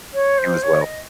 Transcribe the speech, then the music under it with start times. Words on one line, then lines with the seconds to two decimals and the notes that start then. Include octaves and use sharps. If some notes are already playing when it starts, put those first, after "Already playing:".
You as well.
0.14 C#5
0.38 C5
0.63 C#5
0.82 D#5